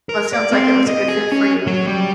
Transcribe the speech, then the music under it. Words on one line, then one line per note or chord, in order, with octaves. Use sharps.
Well, it sounds like it was a good fit for you.
A#4
D5
C4
D#5
G#4
C#4
F#3
G3